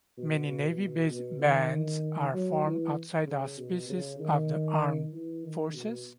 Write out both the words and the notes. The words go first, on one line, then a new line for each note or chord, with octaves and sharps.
Many navy based bands are formed outside the auspices of the armed forces.
B2
B2
B2
B2
D#3
F#3
E3
C#3
B2
C#3
D#3
E3
D#3
B2